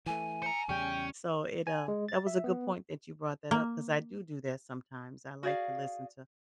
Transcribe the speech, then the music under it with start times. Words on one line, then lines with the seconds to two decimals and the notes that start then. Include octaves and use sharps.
So, it, uh that was a good point that you brought that up 'cause I do do that sometimes, I like listen to
0.06 E3 A3 G#5
0.42 C5 A#5 C#7
0.69 E2 C#3 G3 C#4 G5
1.67 G#5
1.88 G#3
2.08 A6
2.27 E5
2.44 B3
3.51 A#3
5.43 F#4 G#4 D5 F5